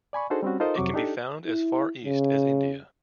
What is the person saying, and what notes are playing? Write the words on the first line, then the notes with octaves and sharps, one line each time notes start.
It can be found as far east as India.
D5 G#5 B5 C#6
D4 D#4 F#4 G#4 A4 C5
G3 C4 C#4 F#4
D#4 F4 A4 A#4 C5 D#5
F2 C3 F#3 C#6 D6
D4 D#4 G4 A4
E4
C#3